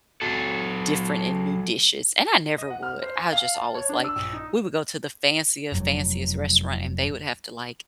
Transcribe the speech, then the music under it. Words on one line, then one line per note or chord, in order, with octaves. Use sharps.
different and new dishes, and I never would. I just always, like we would go to the fanciest, fanciest restaurant, and they would have to, like,
F#3 A4
D#5
F#5
F6
C5
G#5
F5
A5
C#5
D4
E6
A#1
D#4
F1 F#3